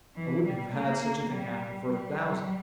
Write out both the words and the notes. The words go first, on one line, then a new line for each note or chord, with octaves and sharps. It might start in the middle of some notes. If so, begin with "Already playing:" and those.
I wouldn't have had such a thing happen for a thousand!
E3
G3
A#3
G3
G3